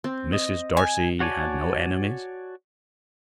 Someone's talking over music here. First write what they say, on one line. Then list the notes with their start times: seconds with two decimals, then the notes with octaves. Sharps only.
"Mrs. Darcy had no enemies?"
0.04 C4
0.33 D#5
0.77 G#5
1.20 F#4 C#5 D5 G#5 A5